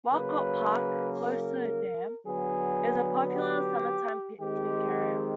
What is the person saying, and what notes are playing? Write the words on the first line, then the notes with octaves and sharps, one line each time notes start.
Walcott Park, close to the dam, is a popular summertime picnic area.
C#3 F#3 A#3 B4
A#4
D3 F#3 B3 G#4
G4
D#3 G#3 C4 G4